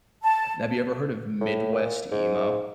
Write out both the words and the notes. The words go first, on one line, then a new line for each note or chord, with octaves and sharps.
Have you ever heard of Midwest emo?
A5
A2
A#2
G#2